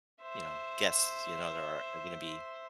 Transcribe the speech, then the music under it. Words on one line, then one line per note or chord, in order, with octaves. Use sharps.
you know, guests, you know, that are are gonna be
C5 E5